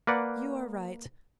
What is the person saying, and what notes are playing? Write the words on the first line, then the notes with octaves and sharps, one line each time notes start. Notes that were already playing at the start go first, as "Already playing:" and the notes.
'You are right.
A#3 B4 D5 F#5